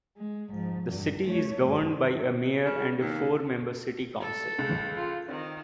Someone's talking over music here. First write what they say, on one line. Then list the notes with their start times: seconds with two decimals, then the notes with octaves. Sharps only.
The city is governed by a mayor and a four-member City Council.
0.17 G#3
0.50 G#2 F3
0.87 E2 G2
1.26 A3 C#5
1.64 G2
1.97 D#3
2.65 C#3
3.00 D#2
4.20 A4
4.58 C#2
4.96 F4
5.28 D#3 C4